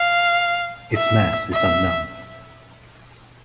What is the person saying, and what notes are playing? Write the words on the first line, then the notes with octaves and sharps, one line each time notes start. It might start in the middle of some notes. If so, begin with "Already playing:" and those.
Its mass is unknown.
Already playing: F5
E5
E5